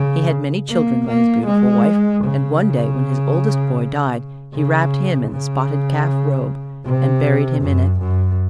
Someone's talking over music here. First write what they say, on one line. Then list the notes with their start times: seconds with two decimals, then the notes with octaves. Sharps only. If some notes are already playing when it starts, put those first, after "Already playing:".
He had many children by his beautiful wife, and one day when his oldest boy died, he wrapped him in the spotted calf robe and buried him in it.
Already playing: C#3
0.69 A#3
1.08 A#3
1.47 G#3
2.24 C#3
4.54 C#3
5.31 C#3
6.85 C3
7.62 F#2
8.00 F#2